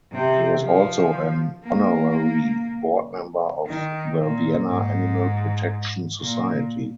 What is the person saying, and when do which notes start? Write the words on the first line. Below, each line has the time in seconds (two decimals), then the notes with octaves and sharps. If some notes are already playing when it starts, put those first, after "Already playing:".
He was also an honorary board member of the Vienna Animal Protection Society.
0.12 C3
0.62 F3
1.63 A#3
3.66 D#3
4.17 A#2
4.68 G#2
6.20 A#2